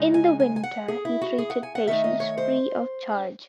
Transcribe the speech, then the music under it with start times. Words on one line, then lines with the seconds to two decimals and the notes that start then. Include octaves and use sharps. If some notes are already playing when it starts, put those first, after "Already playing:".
In the winter he treated patients free of charge.
Already playing: C#3 G#3 D#4
0.14 G#5
0.40 G#5
0.56 G#5
0.63 F#5
0.88 G#4
1.05 E4
1.21 F#4
1.38 G#4
1.50 F#5
1.63 G#5
1.75 F#5
1.88 D#3 A3 D#4 E5
2.04 D#5
2.20 C#5
2.38 C5